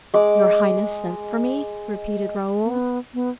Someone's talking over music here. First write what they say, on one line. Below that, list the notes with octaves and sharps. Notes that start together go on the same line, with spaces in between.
"Your highness sent for me?" repeated Raoul.
G#3 D6
B3
B3